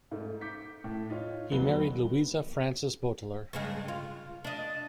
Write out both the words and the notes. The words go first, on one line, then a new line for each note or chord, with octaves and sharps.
He married Louisa Frances Boteler.
G#2 A3
D6 G6 B6 C#7
A2
D#4 F4 C#5
E1 D#2 F#3 B4 G7
G2 C#3 G#3
F4
D4 D#5